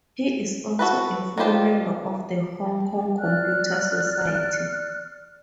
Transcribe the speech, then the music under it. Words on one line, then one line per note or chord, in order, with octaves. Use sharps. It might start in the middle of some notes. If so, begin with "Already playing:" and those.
He is also a full member of the Hong Kong Computer Society.
F#4 A4 B4
D#3 D4 F4 G4 C5
D5 F6 F#6